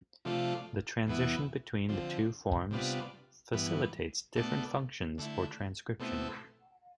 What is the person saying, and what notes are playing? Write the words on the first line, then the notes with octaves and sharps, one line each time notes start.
The transition between the two forms facilitates different functions for transcription.
C3 F3 A3 D4 F4
E2 B2 B3 E4
D3 F3 C4
C3 G3 B3 D4 F4
G2 E3 B3
B2 A3 D4
D3 A3 E4
B2 A3 C4 E4